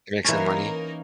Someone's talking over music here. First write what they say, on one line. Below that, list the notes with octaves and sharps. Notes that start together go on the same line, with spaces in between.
Make some money?
E3 A#3 C#4 D#4 A#4